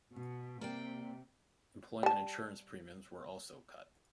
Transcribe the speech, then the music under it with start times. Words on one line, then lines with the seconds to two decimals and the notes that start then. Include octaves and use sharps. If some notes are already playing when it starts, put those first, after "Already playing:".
Employment Insurance premiums were also cut.
0.13 B2
0.61 C3 A#3 D5 G5
2.03 G3 A5